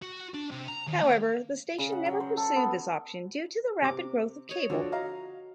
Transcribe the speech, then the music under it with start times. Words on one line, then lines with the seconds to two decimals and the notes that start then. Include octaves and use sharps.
However, the station never pursued this option due to the rapid growth of cable.
0.02 F#4
0.34 D4
0.51 C3
0.68 A#5
0.87 D#2
1.03 A#3
1.78 C#3
1.92 F#5
2.06 F#3
2.20 C5
2.37 A4
2.56 B3
3.82 C3 D6
4.49 C#5 D#5
4.70 D3 F3 D4 F#4
4.92 D#5 F5 A#5